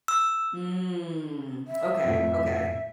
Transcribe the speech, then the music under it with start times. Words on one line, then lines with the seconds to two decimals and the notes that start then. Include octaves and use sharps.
Mm. Okay, okay,
0.08 E6
1.68 E5
2.05 F2 A2